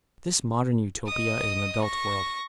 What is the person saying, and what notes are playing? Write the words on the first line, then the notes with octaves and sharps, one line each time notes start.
This modern Utopia is an adult world.
D#5 D#6
C#6 A#6